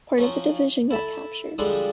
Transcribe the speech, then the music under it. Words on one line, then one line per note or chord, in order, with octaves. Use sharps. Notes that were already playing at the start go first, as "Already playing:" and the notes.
Part of the division got captured.
F3 F#3 C#4
E4 A4 A5 B5
D3 F3 G3 G#3 D4 A4